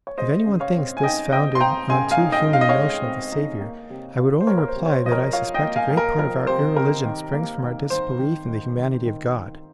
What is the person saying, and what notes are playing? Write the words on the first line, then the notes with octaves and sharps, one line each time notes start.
If any one thinks this founded on too human a notion of the Saviour, I would only reply that I suspect a great part of our irreligion springs from our disbelief in the humanity of God.
C#5
G#3 C5 D#5
C#3
C#5 F5
C4
G#5
D#4 D#5 G5
C4 D#5 G5
C6
C4 G5 A#5
C#3 G#5 C6
F5 G#5
D#4
D#5 G5
D#4
F5
D#5
C#5 F5
G#3
C4
D#4
A#3
C3
F4
C5
A#3 A#4 C#5
A#4
C5
C3
C#5
C5
F3 D#5
A#4 C#5
F4 C#5 F5
D#5 G5
A#3
F5 G#5
A#3
A#4
F3 A#4
C3 C5
C3 A#4
D#3
A#3
D#3
D#3 C5
D#3
D#3
D#3
D#3
D#3